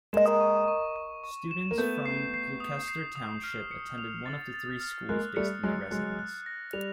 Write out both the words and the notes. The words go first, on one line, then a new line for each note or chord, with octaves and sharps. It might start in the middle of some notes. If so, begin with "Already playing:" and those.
Students from Gloucester Township attend one of the three schools based on their residence.
G#3 A#3 E7
C#6
C#6
C#6
C#6
E7
A#3
A3 B3 G6
C7
C7
D#6
C7
D#6
F6
C#7
F7
A6
A6
F6
G#3 A#3 F#6
G3 A3 C#7
F#3 G#3 F#6
F#3 G#3 F#6
F#6
A#6
G3 F7